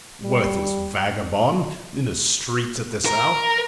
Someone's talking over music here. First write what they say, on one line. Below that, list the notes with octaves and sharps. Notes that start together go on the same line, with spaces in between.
Worthless vagabond! in the streets at this hour!
G3
A#4